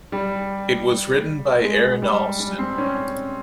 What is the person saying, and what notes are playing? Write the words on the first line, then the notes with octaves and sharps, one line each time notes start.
It was written by Aaron Allston.
G3
G#3
G3
G3
C4
C#4